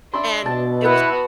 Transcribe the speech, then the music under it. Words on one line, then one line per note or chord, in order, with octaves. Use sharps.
and it was
D4 E5 B5 C6
B2 A5
B3 E4 F#4 B4 F#5